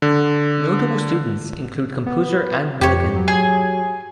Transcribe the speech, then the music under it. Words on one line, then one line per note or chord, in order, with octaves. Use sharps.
Notable students include composer Ann Millikan.
D3
B3
F2 G4 C#5
F#3
G#4 G#5